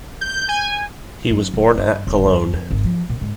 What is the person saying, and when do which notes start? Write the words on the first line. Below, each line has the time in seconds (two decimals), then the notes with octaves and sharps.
He was born at Cologne.
0.21 G6
0.48 G#5
1.31 F#2
1.54 D1
1.78 G2
2.07 D1
2.26 G2
2.53 F2
2.71 G#1
2.84 F3
3.09 A#2
3.21 G#2